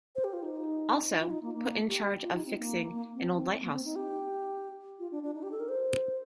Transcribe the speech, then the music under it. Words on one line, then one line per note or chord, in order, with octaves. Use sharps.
Also put in charge of fixing an old lighthouse.
C5
G4
F4
D#4
F4
D#4
A#3
A#3
G4
F4
D#4
C4
A#3
A#3
C4
A#3
C4
D#4
G4
F4
D4
D4
D#4
G4
A4
A#4
C5